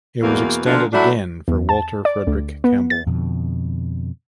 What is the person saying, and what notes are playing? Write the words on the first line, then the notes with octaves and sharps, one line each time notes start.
It was extended again for Walter Frederick Campbell.
E2 B2 A#3
A#2 D3 F3 D4 F4
F#3 A3 D4 E4 F#4 E5
E2
A5
D5
D2
B3
A6
F2 B2 D3